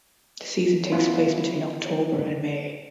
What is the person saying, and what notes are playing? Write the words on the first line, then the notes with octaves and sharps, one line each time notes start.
The season takes place between October and May.
B3 C#4 E4 F4 B4